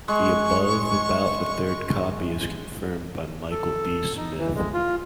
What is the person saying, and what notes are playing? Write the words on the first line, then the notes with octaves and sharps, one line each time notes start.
The above about the third copy is confirmed by Michael D. Smith.
G#3 C#6
A4
D#4
E3
G#3
F4